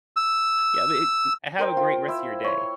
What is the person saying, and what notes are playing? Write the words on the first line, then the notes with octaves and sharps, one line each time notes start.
Yeah, but it g have a great rest of your day.
E6
A#4 C5 G5
F4
E4 E5
C#5 C6